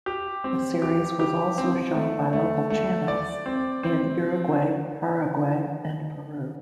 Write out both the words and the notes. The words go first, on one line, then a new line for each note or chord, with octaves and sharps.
The series was also shown by local channels in Uruguay, Paraguay, and Peru.
G4
C4
G4
G4
C4
A3
A3
A3
D5
C4
C4